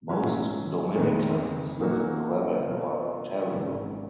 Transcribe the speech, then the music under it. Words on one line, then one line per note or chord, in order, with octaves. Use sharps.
Most Dominicans live in Quebec or Ontario.
G#2 F#3 C#4 F4
F2 D#3 G#3 B3 D#4
A#2 F#3 A#3 D#4 F#4
B2 F#3 B3 F4
G#1 G#2 F#3 C#4 F#4